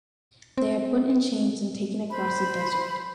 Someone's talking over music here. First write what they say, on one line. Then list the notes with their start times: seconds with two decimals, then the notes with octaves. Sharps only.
They are put in chains and taken across a desert.
0.58 C4
2.10 C5 B5